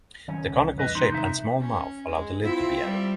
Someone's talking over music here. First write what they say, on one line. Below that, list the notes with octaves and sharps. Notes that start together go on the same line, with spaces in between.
The conical shape and small mouth allowed the lid to be added.
D#3 F#3 C4 C#4
C2 D3
F2 E3 G3 B4 D#5
C#2 C3 E3 A#3 D#4 C6
C3 D#3 G#3 D#4 E5
C#4
G#3
C4 E4 F4 E5
G3